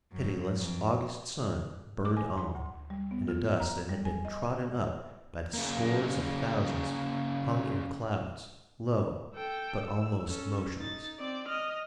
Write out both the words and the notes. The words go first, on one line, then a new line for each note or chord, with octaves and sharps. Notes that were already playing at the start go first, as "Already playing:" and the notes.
The pitiless August sun burned on and the dust that had been trodden up by the scores of thousands hung in clouds low, but almost motionless.
F#2
F2
D6
G#5
C6
D2
G3
B3
F4
A#5
G3
G#5
D#5
C#3 A#3
A4 G5
E6
C#4 A4
D#4 A6
C4 D5
D#5 F6